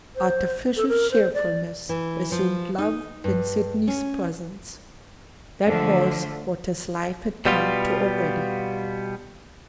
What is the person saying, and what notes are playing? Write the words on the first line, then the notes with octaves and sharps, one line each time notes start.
Artificial cheerfulness, assumed love in Sydney's presence--that was what his life had come to already.
C5
A4
A#4
C5
D5
E3
F3
D#4
G2
C#4
D3 F3 A3
B2 G3 B3 F4